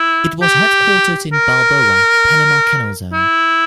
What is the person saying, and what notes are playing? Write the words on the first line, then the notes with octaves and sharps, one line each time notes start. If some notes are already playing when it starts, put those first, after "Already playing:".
It was headquartered in Balboa, Panama Canal Zone.
Already playing: E4
G4
A#4
E4